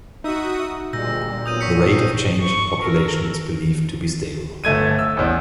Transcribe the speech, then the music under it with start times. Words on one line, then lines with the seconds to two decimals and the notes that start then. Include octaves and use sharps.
The rate of change in population is believed to be stable.
0.24 D#4 F#4 E5 D#6
0.93 D2 A#2 G3 G#3 E6 G6 A#6
1.46 D#3 F#3 B3 D#6 G6 D#7
1.61 C#6 B6 C#7
2.41 C#6
2.82 A4 A#4
4.64 G1 A3 G#6 D#7
4.99 E6
5.17 A1 E2